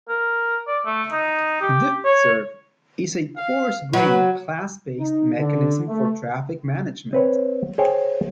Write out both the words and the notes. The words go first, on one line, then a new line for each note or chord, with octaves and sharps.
DiffServ is a "coarse-grained", "class-based" mechanism for traffic management.
A#4
D5
A3
D#4
G4
C#5
F5
F#3 B4
D#4
D3
A3
C4 B4 C#5
G#4 C5 C#5 G5